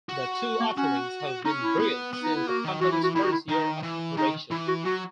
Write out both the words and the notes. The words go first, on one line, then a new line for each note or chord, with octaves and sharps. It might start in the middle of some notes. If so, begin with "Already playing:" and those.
The two offerings have been brewed since the company's first year of operation.
F#4
A#3
C#4 F#4
C#4 D#4
E4
B3
B3
D#4
E4
A#3 F#4
D#3
E3 F#4
E4
F#4
D#3 E4
F#4
E4
D#3 D#4
E3
D#3 D#4
E3 E4
F#4
F#3 F#4